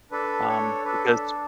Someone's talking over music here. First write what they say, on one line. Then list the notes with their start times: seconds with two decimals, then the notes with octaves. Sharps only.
um, because
0.11 D4 A4 B4
0.49 C#5
0.85 D4 A4 B4
1.09 A4